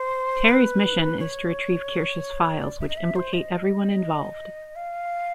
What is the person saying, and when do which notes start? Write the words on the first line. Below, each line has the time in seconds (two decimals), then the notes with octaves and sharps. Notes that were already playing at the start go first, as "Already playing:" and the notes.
Terry's mission is to retrieve Kirsch's files, which implicate everyone involved.
Already playing: C5
0.49 B4
1.20 C#5
2.62 D5
2.80 E5
2.88 D#5
2.97 E5
3.16 C5
3.33 E5
3.37 D#5
4.76 F5